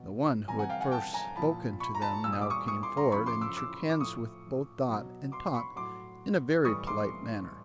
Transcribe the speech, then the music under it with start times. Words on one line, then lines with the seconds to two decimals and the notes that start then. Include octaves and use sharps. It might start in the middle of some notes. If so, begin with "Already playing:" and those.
The one who had first spoken to them now came forward and shook hands with both Dot and Tot in a very polite manner.
Already playing: B2 F#3
0.48 C3 E3 G3 G#5 A#5
0.59 F#5 G#5
0.69 F5 G5
0.81 F#5 G#5
0.92 G5 A5
1.14 G#5 A#5
1.36 A#2 F3 A5 B5
1.80 B5 C#6
1.95 A#5
2.02 A5 B5
2.24 A#2 G3 E6
2.32 D#6
2.42 D6
2.50 C#6 D#6
2.68 C#6 D#6
2.83 C6 D6
2.97 A#5 C6
3.12 C#3 F3 B5 C#6
3.26 C6 D6
3.41 D6 E6
3.57 D6 E6
3.89 D6
4.00 A2 F3 C#6 D#6
4.88 B2 F#3
5.32 C6 D6
5.54 B5 C#6
5.76 A2 F#3 C6 D6
6.64 A2 E3 G3 C#6 D#6
6.87 C6 D6